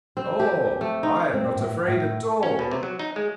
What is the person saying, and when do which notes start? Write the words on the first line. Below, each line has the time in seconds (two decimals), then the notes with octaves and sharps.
'Oh, I am not afraid at all!'
0.17 C4
0.40 G4
0.81 A3
1.03 D#4
1.34 C4
1.55 A2
1.87 A2
2.43 C#4
2.59 B2
2.71 C3
2.83 F#3
2.99 D#4
3.16 G#3